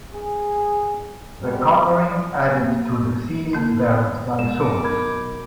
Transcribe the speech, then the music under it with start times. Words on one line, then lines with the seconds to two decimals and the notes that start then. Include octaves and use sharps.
The coloring added to the seal varies by source.
0.12 G#4
1.41 G3 G#3 C4 F#4
2.11 F#3
2.57 A#3
3.53 D3 A#3 E4
3.78 A#4
4.39 G#3 F4 E7
4.60 A4 D#5 D6
4.83 B2 F#3 D#4 A#4 B5 G#6